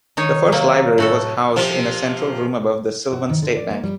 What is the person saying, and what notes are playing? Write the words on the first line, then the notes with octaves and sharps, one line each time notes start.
The first library was housed in a central room above the Sylvan State Bank.
D#3 D#4 C#5
C3 F#3 A#3
A2 F#4 A4
C3 F3
F#4
D#3
D3
D5
A#3
G3